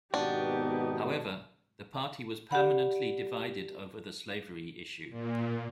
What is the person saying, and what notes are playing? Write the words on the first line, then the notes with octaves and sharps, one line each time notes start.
However, the party was permanently divided over the slavery issue.
G#1 B2 B3 D4 D#4 F#4 G4
G4 D5 F#5 B5
A#2